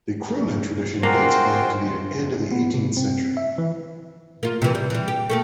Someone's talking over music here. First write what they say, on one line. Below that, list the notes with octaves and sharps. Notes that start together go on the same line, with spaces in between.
The 'Krumen' tradition dates back to the end of the eighteenth century.
G#3 A#3 F4 F#4 C5 G5
B3
C3
C4
E5
E3
A#3 F4
C3 E3
G3
E3 G3
G4
A3 A#3 G4